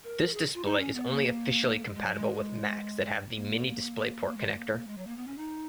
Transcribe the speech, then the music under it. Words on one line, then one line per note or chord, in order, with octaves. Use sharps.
This display is only officially compatible with Macs that have the Mini DisplayPort connector.
A#4
G#4
F4
D#4
C#4
B3
A#3
G#3
G#3
F#3
G#3
A#3
A#3
G#3
G#3
A#3
A#3
G#3
F#3
A#3
B3
C#4
D#4